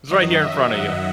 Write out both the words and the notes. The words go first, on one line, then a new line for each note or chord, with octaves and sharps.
"It's right here in front of you.
F#2 D#3 F#3 D#5
E5
F#5